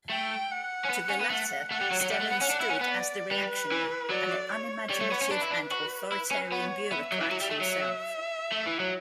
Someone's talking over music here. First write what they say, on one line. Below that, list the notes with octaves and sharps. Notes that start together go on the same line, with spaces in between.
To the latter Stemann stood as the reactionary, an unimaginative and authoritarian bureaucrat himself.
A3 G5
F#5
C#4
B3
C#4
B3
A3
A3 F#5
G3
F#3
F#3
G3 F#5
A3
B3
C#4
D4
E4
C#4
B3
D5
G3 B4
E3
F#3 D5
C#5
G3 C#5
A3
B3
C#4
D4 B4
E4
D4
F#4
E4
C#4
B3 C#5
B3 E5
F#3
E3
F#3
G3
A3
F#3
E5
A3
E3
F#3